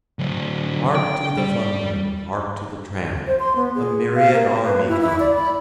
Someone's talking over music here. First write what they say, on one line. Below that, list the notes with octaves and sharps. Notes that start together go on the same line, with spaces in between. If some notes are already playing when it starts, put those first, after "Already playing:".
Hark to the thunder, hark to the tramp--a myriad army comes!
D3 F#3
G5
G3
C5
C6
B3
G#4
F5
A#3
B4
E4
E4
D5
B5